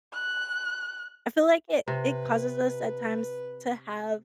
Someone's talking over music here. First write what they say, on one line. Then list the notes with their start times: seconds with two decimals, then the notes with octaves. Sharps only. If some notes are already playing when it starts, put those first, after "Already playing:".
I feel like it it causes us at times to have,
0.13 F#6
1.88 C3 B4